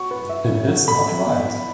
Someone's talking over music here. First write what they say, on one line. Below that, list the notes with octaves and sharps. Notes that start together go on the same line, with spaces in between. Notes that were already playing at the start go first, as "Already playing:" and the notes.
It is not right!
Already playing: F#4 C#6
B4
E5
C#4
F#4
A4 B5
E5
B3
E4